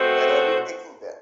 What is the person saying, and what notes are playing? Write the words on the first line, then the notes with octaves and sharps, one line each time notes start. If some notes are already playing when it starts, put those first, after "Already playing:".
Where are you taking them?
Already playing: B2 A3 C4 F#4 C5